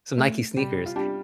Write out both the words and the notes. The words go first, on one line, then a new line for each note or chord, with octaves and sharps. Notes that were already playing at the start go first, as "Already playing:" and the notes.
Some Nike sneakers.
A3
C3 G3 G4
F4
G3 D4 G4